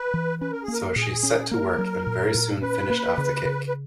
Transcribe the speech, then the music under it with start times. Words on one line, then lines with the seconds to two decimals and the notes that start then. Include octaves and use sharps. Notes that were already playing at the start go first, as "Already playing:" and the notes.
So she set to work, and very soon finished off the cake.
Already playing: B4
0.14 E3
0.41 C#4 B4
0.52 A#4
0.63 G#4
0.68 A#3 A#4
0.96 A#2 G#4
1.23 C#4
1.51 A#3 A#4
1.79 F#3
2.07 A#2
2.35 A#2
2.62 C#4 B4
2.90 A#3
3.18 C#3
3.45 C#3
3.68 B4